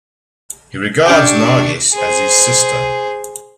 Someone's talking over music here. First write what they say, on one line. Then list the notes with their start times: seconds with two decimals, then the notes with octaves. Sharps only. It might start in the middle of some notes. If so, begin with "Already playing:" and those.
He regards Nargis as his sister.
1.06 C#4 D4 G4 G5 C#6
1.94 G#4 C5